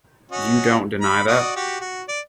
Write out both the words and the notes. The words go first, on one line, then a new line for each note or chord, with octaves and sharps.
You don't deny that.
C#4 F#4 D#5
B5
F#4 D5 D#5
F#4 G4
F#4
D5